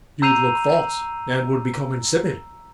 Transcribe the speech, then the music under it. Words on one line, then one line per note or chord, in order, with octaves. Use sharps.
You'd look false and would become insipid.
A#5 E6 G6 C7 D#7 F7